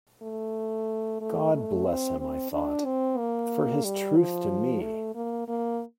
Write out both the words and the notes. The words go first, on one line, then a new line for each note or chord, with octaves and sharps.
"God bless him," I thought, "for his truth to me!"
A3
A3
A3
C4
C4
D4
C4
A#3
G3
F3
A3
A#3
A#3